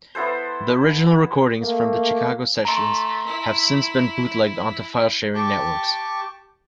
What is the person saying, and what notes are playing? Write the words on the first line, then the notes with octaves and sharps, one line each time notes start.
The original recordings from the Chicago sessions have since been bootlegged onto filesharing networks.
B3 E4 A4 C5
A3 A#3
A3 A#5 C6
E4
G4 G5 A5 C#6 D6